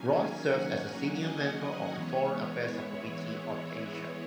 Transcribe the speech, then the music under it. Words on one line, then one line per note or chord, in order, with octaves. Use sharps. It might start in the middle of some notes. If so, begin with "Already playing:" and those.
Royce serves as a senior member of the Foreign Affairs Subcommittee on Asia.
Already playing: D#3 F#3 A#3 C#4 G#5
F#5
D#5
E3 G#3 B3 C#5
E4